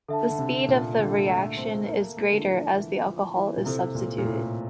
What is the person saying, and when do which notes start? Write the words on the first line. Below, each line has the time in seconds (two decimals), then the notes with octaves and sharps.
The speed of the reaction is greater as the alcohol is substituted.
0.08 D3 A4 E5 A5
0.30 D3
0.39 C3
0.68 A#2
0.98 D3
1.28 A3
1.57 C4
1.87 A#3
2.17 A3
2.32 D3
2.40 E3
2.46 F3
2.76 E3
3.06 F3
3.36 E3
3.57 A#2
3.65 C3 E4 A4 C5
3.95 A#2
4.18 A#2
4.25 A2